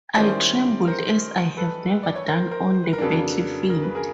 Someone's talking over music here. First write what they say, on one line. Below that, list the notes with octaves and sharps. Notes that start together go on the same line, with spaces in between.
I trembled as I have never done on the battlefield.
D#3 G3 A#3 C#4 E4 C5 D5
A#4 C5
A4 B4
D5
C#5
A#4 C5
A#4 C5
C5
B4
A#4
F2 C#3 F#3 A#3 D4 A4 B4
A#4
B4
G#4 A#4